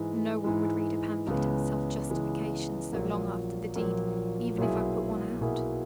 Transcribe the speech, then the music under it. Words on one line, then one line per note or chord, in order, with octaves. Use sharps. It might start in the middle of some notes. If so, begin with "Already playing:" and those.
No one would read a pamphlet of self-justification so long after the deed, even if I put one out.'
Already playing: G#2 E3 G#3
G#2 E3 G#3
C#2 C#3 E3 G#3 B3
C#2 C#3 E3 G#3 B3
A#1 A#2 F#3 A#3
A#1 A#2 F#3 A#3
B1 B2 A#3 E4 G#4
B1 B2 A#3 E4 G#4